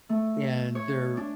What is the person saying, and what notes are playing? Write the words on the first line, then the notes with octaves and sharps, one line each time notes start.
and they're
A3
C#5
D4